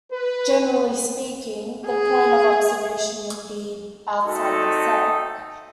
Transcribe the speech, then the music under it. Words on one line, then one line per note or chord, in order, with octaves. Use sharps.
Generally speaking the point of observation would be outside the cell.
B4
G#4
A3 C4 D#4 F#4 A4